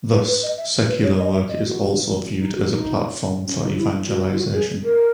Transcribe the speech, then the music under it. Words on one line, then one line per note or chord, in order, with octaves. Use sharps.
Thus, secular work is also viewed as a platform for evangelization.
B4
B4
D#5
E5
B4
C#5
D#5
E5
D#5
F#4
D#4
F#4
D#4
C#4
D#4
E4
F#4
E4
F#4
G#4
A#4